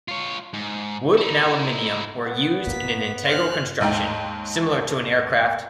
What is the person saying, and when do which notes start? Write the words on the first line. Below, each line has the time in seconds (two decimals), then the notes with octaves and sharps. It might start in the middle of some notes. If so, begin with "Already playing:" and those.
Wood and aluminium were used in an integral construction, similar to an aircraft.
0.08 F4 C#5
0.54 G#2
1.18 D#4 E4
2.26 B3
2.66 G2 A#3 B6
3.25 C5 F6 F#6
3.81 D#2 G#2 D#4 G5